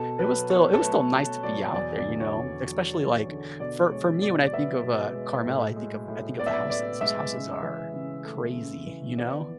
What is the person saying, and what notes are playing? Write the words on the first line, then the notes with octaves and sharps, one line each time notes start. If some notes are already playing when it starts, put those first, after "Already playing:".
it was still it was still nice to be out there, you know, especially like for for me, when I think of, uh, Carmel, I think of I think of the houses, those houses are crazy, you know?
Already playing: B2 A4
F#3 B4
B2 C#5
A4
A3 B4
B2
F#3 D5
E2 D5
D5
D3
C#5
E2
F#3
E2
D3
B2 D5
G#3 C#5
B2 D5
D5
B3 E5
B2
G#3
A2
G#3
A2
B3 D5
E5
D5
A2 D5
G#3 E5
C#3
E3
C#3
A3
C#3
E3
B3 D5